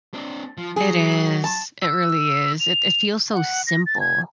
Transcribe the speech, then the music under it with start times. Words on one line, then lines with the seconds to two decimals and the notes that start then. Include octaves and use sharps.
It is, it really is. It it feels so simple
0.14 C4 D4
0.58 F3
0.76 F#3 G#4
1.44 A5
1.82 E6
2.60 F7
3.33 F#5
3.67 A#6
3.86 A6
4.00 G#6